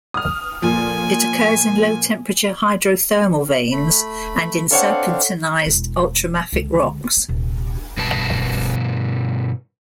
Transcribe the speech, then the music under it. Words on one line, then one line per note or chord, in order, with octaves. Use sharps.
It occurs in low-temperature hydrothermal veins and in serpentinized ultramafic rocks.
D#6 F6
A#2 F3 G#5
A3 B5
C4 D4 A4 C#5 F5 F#5
E1 E4
C#2 D3
B3
D#1 C3
G2 B2 B4 A5